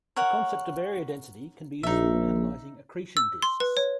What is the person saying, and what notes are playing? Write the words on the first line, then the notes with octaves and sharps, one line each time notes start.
The concept of area density can be useful when analysing accretion disks.
A#4 C#5 F#5
A#1 D#4 E5
E6
C6
B4
C#5